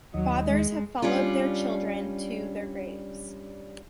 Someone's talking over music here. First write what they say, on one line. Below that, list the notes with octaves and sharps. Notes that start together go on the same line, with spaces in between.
Fathers have followed their children to their graves.
D#2 D#3 F#3 D#5
G#3
G3 C#4 D4 F4